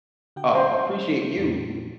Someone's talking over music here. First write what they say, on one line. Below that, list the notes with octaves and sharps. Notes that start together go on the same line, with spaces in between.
uh, appreciate you,
D3 F#4 G5
C#4 C5
F2 A#2